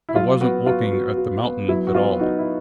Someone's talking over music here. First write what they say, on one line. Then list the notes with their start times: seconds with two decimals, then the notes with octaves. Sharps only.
I wasn't looking at the mountain at all.
0.09 E4
0.15 F#3 F4
0.41 B3 F#4
0.66 F4 F#4
0.92 F#4
1.17 F#4
1.43 B3
1.68 F#3 E4
1.87 F#4
1.94 B3 F4
2.19 D#4 F#4
2.39 E4